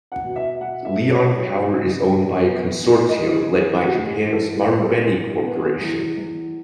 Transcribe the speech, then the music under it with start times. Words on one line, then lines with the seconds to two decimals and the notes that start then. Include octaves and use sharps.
Lion Power is owned by a consortium led by Japan's Marubeni Corporation.
0.12 F#5
0.24 B2
0.36 E5
0.61 B2 F#5
0.85 E5
0.97 B2
1.10 C#5
1.35 F#3 C#5
1.73 C#2
2.10 B2
2.47 B3
2.83 A2
3.09 D#5
3.21 E3
3.33 G#4
3.57 E3 G#4
3.83 F#4
3.95 A2
4.07 G#4
4.33 E3 A4
4.56 G#4
4.69 B3
4.82 A4
5.06 E3 G#4
5.32 G#4
5.43 B3
5.55 G#4
5.81 E2
6.17 E2